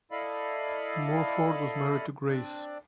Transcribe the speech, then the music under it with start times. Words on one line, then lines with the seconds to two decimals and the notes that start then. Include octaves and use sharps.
Morford was married to Grace.
0.11 E4 A4 D5 D#5 F5 B5
2.29 C4 D4 D5